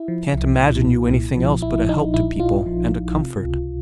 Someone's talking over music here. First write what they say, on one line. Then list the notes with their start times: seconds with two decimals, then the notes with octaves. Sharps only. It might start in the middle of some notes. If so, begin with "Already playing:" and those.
I can't imagine you anything else but a help to people and a comfort.'
Already playing: E4
0.08 F3
0.33 C2
0.60 A#2
0.85 C2
1.11 A#2
1.37 F3
1.62 A#1 E4
1.88 A#1 D#4
2.14 A#1 E4
2.40 A#1 F4
2.66 F3
2.91 A#1
3.17 C3
3.44 C#2